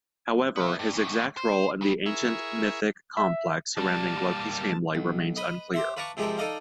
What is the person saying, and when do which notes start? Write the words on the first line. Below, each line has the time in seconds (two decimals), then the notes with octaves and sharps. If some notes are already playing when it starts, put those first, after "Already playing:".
However, his exact role in the ancient mythic complex surrounding Loki's family remains unclear.
0.56 B3 E4
0.79 G2
0.93 E2 A2
1.37 C5
1.82 C#3 G3
2.06 E4 G#4 A#4 E5 C#6
3.17 E5
3.77 G3 A#3 A5
4.95 B1
5.36 B4 D#5
5.74 G4 C5 E5
5.97 B4 F5 A5 A#5 C#6 D6
6.17 C3 F3 G#3 G4 A4 A#4
6.38 D#4 A4 D5 D#5 F5